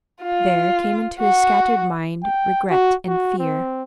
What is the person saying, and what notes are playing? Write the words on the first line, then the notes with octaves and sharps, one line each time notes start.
There came into his scattered mind Regret and Fear.
F4
F#4
G5
F#4
F#4
C4